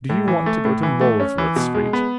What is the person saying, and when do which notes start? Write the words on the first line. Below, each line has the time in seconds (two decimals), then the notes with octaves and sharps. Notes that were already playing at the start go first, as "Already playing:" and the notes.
Do you want to go to Molesworth street?
0.09 A2
0.28 E3
0.46 A3
0.65 A2
0.83 E3
1.01 A3
1.20 C#4
1.38 E3
1.56 B2
1.74 G#3
1.93 B3